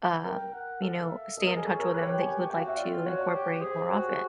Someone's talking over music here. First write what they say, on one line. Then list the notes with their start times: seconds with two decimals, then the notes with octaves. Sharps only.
um, you know, stay in touch with them that you would like to incorporate more often?
0.25 A#4 G5
0.53 F#5
0.81 A4 F5
1.10 E5
1.38 A4 D#5
1.47 A#4
1.57 G#4
1.65 A4 C#5
1.80 A#4
1.94 G4 B4
2.02 C#5
2.12 G5
2.22 G4 G#5
2.50 F#4 G5
2.58 F5
2.68 E5
2.77 F4 D5
3.06 F#4 C#5
3.18 D5
3.30 G4 C#5
3.61 G#4 C5
3.75 C5
3.90 F#4 G4
3.98 G#4